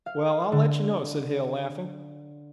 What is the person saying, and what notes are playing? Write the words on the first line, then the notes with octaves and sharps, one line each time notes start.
"Well, I'll let you know," said Hale laughing.
F5
D3